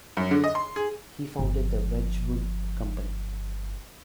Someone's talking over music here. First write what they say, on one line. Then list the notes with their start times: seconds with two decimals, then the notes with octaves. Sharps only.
He founded the Wedgwood company.
0.17 F#2
0.31 D3
0.44 D#5
0.55 C6
0.76 G#4
1.39 G1 F3